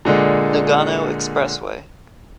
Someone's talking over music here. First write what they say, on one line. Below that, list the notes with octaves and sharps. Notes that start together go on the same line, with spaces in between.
Nagano Expressway.
A#2 D3 G#3